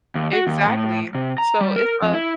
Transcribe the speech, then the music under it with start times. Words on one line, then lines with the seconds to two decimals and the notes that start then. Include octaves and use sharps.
Exactly. So it's a
0.15 D#2
0.33 F#4
0.47 D#2
0.68 A2
1.15 C3
1.38 A#5
1.61 G3
1.76 A#4
2.02 F2
2.14 E4